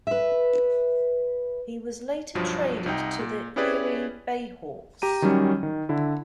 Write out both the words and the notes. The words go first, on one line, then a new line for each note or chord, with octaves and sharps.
He was later traded to the Erie BayHawks.
B4 E5
B1 G2 F3 F#3
C2 D#4 G5
A#2
C#4 E4 G4 G#4 B4 D5
G4 A#5 D#7
D#3 F#3 G3 C#4
D#3
D3 E4